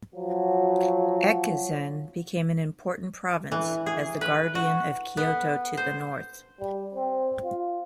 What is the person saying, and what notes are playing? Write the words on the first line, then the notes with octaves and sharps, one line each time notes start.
Echizen became an important province, as the guardian of Kyoto to the North.
F3 F#3
E3
G#4
B4
F#4
B3
C5
G3
C4
F4